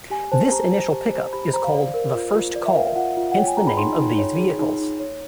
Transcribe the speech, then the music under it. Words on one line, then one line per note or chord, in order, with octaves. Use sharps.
This initial pickup is called the "first call", hence the name of these vehicles.
G4 G#5
C5 A5
G4 A#5
C5
G4
C5
G4 B5
B5
C5 A#5
F5
D5
A#4
F4
F4
D5
E5
A#4 F5
F4 F#5
F4
F#5
C#5 G5
G#5
G#4 A#5
B5
D#4 C6
D#4
C#5
G#4
D#4
D#4
C#5